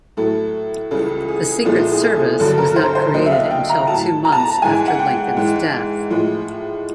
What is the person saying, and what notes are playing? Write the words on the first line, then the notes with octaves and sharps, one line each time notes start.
The Secret Service was not created until two months after Lincoln's death.
A2 F#3 A4
C#2 C#3 E3 G3 A4
G#4
C2 A#2 F3 G#3 A4
G#4
A4
G2 D3 F#3 A4
A#4
C5
C5
D#2 D3 F#3 D#5
E5
F5
G5
A#5
A2 F#3 A5
A#5
A5
A#5
G#2 E3 G#3 G#5
F#5
G5
G#2 E3 G#3
A2 F3 G#3